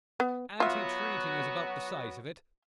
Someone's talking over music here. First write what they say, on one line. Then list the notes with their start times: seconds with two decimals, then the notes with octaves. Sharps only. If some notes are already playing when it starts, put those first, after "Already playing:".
Antitreating is about the size of it.
0.20 B3
0.60 F#3 B3 F4 F#4 E5